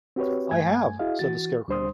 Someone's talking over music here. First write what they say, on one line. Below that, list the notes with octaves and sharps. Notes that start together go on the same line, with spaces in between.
"I have," said the Scarecrow.
C4 F#4 G4 B4 C#5
G2 A3 G#5 G#6
E4 F#4 G#4 D#5 F5
E3 F#4 A6
D2 G3 D4 C5 C6 D#6